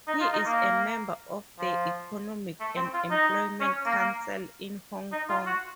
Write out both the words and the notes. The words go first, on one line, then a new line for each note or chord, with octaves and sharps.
He is a member of the Economic and Employment Council in Hong Kong.
D#4
F4
D#4
A#3
F3
A3
C4
F4
D#4
C#4
A#3
A#3
D#4
F4
F#4